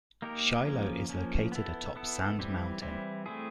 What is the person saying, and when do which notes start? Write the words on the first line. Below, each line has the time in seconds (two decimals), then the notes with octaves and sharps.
Shiloh is located atop Sand Mountain.
0.22 A#3 D#4 G4 A#4
0.66 F3 A#3 C#4
1.09 F3 A#3 C#4
1.52 B3 E4 A4
1.96 B3 E4 A4
2.39 E3 G3 C4 E4
2.82 E3 G3 C4 E4
3.26 A3 C4 E4 G#4